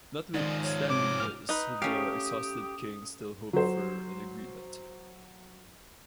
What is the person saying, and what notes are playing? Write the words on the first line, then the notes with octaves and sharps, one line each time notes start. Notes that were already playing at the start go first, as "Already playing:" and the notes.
Notwithstanding this, the exhausted king still hoped for an agreement.
G#2 D#3 F3 D5
C#5
C3 D6
F6
D#4 B4 D#6
A3 C#4 G4 F5
F#3 C5